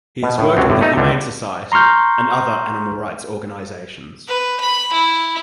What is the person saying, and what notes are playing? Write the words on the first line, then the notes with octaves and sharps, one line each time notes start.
He has worked with The Humane Society and other animal rights organizations.
B2
A2
C#2 F#2 C3 F#3
G1 A2 D3
A3 D#4
C#2 D3
A#5 C6 C#6 F6 G6
B4
B5
E4